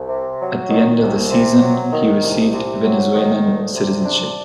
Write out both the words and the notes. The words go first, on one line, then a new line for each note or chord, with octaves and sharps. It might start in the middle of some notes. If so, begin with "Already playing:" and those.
At the end of the season, he received Venezuelan citizenship.
Already playing: C2
C3
F#3
D#3
C2
C3
F#3
D#3
C2
C3
F#3
D#3
D2
C3
D4